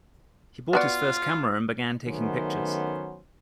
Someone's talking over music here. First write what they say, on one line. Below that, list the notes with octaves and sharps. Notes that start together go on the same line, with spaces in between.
He bought his first camera and began taking pictures.
B3 F4 F#4 D5
D#3 F#3 A3 B3 C#4 C5